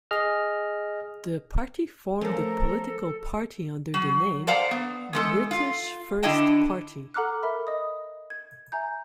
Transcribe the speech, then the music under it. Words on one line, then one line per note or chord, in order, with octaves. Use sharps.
The party formed a political party under the name British First Party.
G#4 D#5 F6
F3 A3 C#4 A4 A#4
F#3
A4 C5 D5 F5 F#5 A#5
B3
E2 G#3 A4
F4
D3 E4 D#5 G5 A5
A4 F#5 A#5 D6 F6 F#6
A#4 E5 B5
D#5 D#6
G#6
E5 G#5 A#5 G6